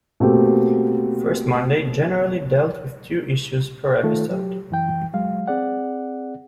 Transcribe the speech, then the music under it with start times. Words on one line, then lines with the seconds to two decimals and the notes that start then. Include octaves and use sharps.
"First Monday" generally dealt with two issues per episode.
0.20 B2 A3 A#3 C4 G4
4.03 D#3 A3 F4 A4
4.30 F#3 G4
4.70 F#2 E3 G5
5.14 F#3 G#3 F5
5.47 C4 G#4 D5 F#5